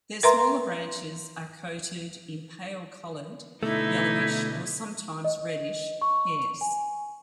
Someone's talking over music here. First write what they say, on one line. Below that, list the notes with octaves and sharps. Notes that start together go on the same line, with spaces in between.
Their smaller branches are coated in pale-colored, yellowish, or sometimes reddish hairs.
A#4 B4 E5 A#5 C6
B2 D3 A3 D#4 E4
D#5
C#6
G#5